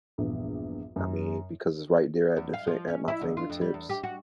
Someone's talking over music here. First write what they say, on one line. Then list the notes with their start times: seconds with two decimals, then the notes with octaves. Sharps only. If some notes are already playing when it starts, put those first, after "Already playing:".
I mean, because it's right there at the fi at my fingertips,
0.18 A#1 E2 G2
0.96 F#2
2.37 E2
2.53 F5
2.67 F3
2.88 C#4
3.08 E4
3.21 D2
3.37 F4
3.50 F2
3.61 G3
3.74 E2
3.90 G4
4.03 F#4